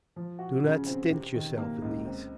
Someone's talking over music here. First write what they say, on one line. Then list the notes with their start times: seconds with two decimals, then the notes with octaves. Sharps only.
Do not stint yourself in these.
0.16 F3
0.39 F#4
0.64 C#3
0.87 C4
1.10 C3
1.34 D#3
1.57 A#3
1.82 C#2
2.05 C4